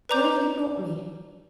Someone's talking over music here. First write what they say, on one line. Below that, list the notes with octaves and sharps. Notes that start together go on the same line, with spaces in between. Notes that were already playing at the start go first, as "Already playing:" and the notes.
What have you brought me?'
B4 D5 A#5 D6 G6